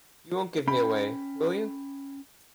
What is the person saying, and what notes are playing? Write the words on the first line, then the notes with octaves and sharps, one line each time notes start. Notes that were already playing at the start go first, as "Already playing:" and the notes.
You won't give me away, will you?
C#4 G5 B5